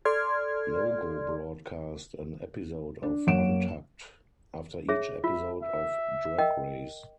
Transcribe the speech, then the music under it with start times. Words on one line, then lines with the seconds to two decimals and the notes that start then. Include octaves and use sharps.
Logo broadcast an episode of "Untucked" after each episode of "Drag Race".
0.05 A4 D5 C6 F6 G#6
3.03 D4
3.27 F#2 A#3 C#5 F#5 D7 E7
4.89 G#4 C#5 E5
5.24 F4 E5
5.62 E5
6.38 A#4 D#5 G5